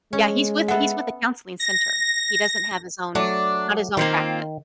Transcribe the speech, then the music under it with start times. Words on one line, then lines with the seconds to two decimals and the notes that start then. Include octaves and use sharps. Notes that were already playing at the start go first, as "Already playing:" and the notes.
Yeah, he's with he's with a counseling center. He doesn't have his own he's not his own practice.
0.13 G#3 C#4
0.68 B3 A4 E5 F#5
1.60 A#6
3.15 F#3 A3 D4
3.97 D#3 A#3 C4 F4